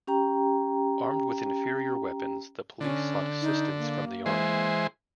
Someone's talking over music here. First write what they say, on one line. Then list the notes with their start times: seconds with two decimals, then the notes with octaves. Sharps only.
Armed with inferior weapons, the police sought assistance from the army.
0.07 C#4 G4 G5 A#5
2.81 D3 C#4
3.41 D#4
3.78 A#3
4.26 E3 G#3 C5